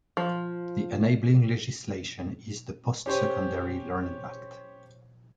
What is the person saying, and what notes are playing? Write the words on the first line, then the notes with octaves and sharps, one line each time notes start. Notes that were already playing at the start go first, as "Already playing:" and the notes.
The enabling legislation is the "Post-secondary Learning Act".
F3
C#4 G4 C5 C#5